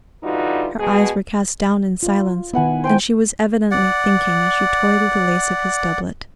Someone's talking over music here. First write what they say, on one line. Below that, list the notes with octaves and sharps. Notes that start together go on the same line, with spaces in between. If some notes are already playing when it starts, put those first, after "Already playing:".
Her eyes were cast down in silence, and she was evidently thinking as she toyed with the lace of his doublet.
D3 E3 G3 D#4 F4 F#4
B2 G#3 G#4
F4
D#3 B3 E4 F#5 G#5
C5 G5 G#5
D5 F#5